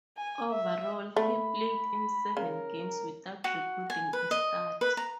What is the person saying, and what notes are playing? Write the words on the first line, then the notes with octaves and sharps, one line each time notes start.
Overall, he played in seven games without recording a stat.
G#5
E5
A3 B5
C#3 A#4
F#4
G#5
B4
D#5
B4
A#5